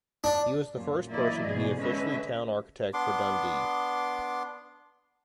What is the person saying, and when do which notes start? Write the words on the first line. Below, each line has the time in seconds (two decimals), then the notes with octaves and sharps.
He was the first person to be officially Town Architect for Dundee.
0.24 D4
0.76 F#2 A#2
1.09 E3 F#3 A#3 E4 D5 D#5
1.46 G#2 B2 E3 G#4
1.78 D3 G#3 C#4 B4 D#5 E5
2.93 B3 D4 C6 D6